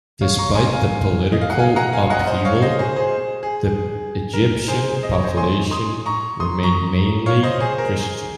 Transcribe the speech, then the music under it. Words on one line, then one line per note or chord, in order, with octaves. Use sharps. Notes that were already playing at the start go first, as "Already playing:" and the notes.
Despite the political upheaval, the Egyptian population remained mainly Christian.
C#5 F5
A#5 C#6
G#5 C6
F5 G#5
D#5
F5
F#5
F5 G#5
F#5 A#5
F5 G#5
D#5 F#5
C5 D#5
C#5 F5
C5 D#5
G#4 C5
G#4 C5
G#4
A#4
G#4 C5
D#5
C#5
C5 D#5
G#5 C6
C6 D#6
A#5 C#6
C6 D#6
A#5 C#6
C#5 F5
C5 D#5
G#4 C5
A#4
G#4